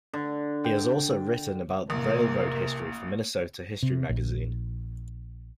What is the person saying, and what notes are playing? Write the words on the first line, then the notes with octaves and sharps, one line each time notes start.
He has also written about railroad history for Minnesota History magazine.
D3
G5
A1 C3 A#3 A#4
C3
A#1